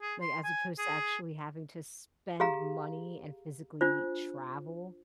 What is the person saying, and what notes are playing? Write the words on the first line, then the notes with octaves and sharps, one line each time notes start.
Like, as opposed to actually having to spend money and physically travel?
G#4
C6
G#5
G#4
G4 G#4 F5 A#5
D4 F4 C5